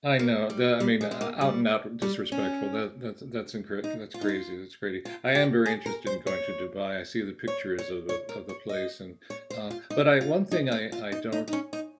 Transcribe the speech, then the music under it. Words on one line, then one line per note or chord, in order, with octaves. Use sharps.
I know, the I mean, ou out and out disrespectful, that that's in that's incorrect, that's crazy, it's crazy I am very interested in going to Dubai, I see the pictures of of of the place, and, uh but I one thing I I don't
A#3
G3
G3
G#3
G#3
A#3
G3
G3
C#4
D#4
F4
D#4
F4
F4
G4
G#4
A#4
C5
C#5
C#5
C#5
C#5
A#4
C#5
D#5
C#5
C5
F4
D#4
F4
D#4
C4
F4
D#4
D#4
D#4
C#4
D#4